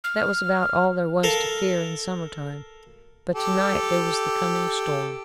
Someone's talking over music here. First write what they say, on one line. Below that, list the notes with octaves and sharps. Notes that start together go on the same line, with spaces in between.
That was about all there was to fear in summer time, but to-night there was the coming storm.
F6
A4 A#4 F5
G4 A4